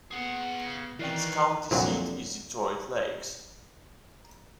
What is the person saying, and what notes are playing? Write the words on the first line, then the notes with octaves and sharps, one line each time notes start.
Its county seat is Detroit Lakes.
B3 G#4 F#5
C#3 A#6
D#3 E3 E4 B4 D5 F5 G5
C2 F2 A#2 D3 F#3